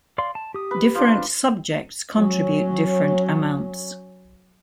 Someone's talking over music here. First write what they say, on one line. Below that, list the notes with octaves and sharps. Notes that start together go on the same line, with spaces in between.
Different subjects contribute different amounts.
D5 F5 C6
A5
G4 D#6
B4
F3 D4
F#3 C#4